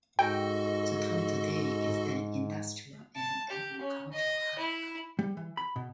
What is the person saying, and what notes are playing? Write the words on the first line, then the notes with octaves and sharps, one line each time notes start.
The town today is an industrial and agricultural hub.
G#2 F#4 A4 D#5 G5
A5
G4
C#4
D#5
E4
G3
E3
B5
B2